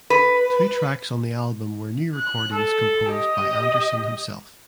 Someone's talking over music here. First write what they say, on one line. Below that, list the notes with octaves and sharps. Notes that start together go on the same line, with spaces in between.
Two tracks on the album were new recordings composed by Anderson himself.
B4
F#6
A4
G4 D#5